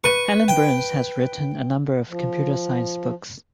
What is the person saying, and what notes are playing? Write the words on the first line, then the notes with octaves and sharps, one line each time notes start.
Alan Burns has written a number of computer science books.
B4 C#6 D#7
G5
F3